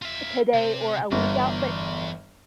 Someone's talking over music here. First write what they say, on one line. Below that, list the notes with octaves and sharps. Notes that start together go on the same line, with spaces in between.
today or a week out. But
F4 E5
C3 C4
G1 E2